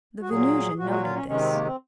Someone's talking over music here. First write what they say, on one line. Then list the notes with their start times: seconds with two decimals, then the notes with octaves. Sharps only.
The Venusian noted this.
0.22 F#4
0.29 A#2 F#3 G#4
0.79 A#2 F#3 F#4
0.91 F#4
1.04 F4
1.16 C#4
1.28 C3 D#3 G#3 C#4
1.40 C4
1.53 A#3
1.65 C4